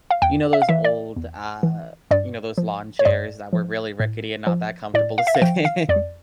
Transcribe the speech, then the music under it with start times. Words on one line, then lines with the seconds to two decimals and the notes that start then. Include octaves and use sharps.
you know, those old, uh, you know, those lawn chairs that were really rickety and not that comfortable to sit in?
0.11 F5
0.22 E2 G5
0.53 E5
0.62 F5
0.69 E3 E5
0.84 D5
1.16 E2
1.63 E3
2.11 G2 D5
2.58 F3
2.99 C#5
3.05 G2 D5
3.53 F3
4.00 A2
4.47 F3
4.94 A2 D5
5.18 F5
5.27 E5
5.35 F5
5.42 F3 G5
5.65 F5
5.89 F2 D5